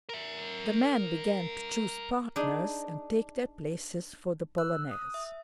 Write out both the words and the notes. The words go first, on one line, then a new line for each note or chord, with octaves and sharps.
The men began to choose partners and take their places for the polonaise.
A#4 E5
D4 D#4 G#4
E6 F#6
D#6
E5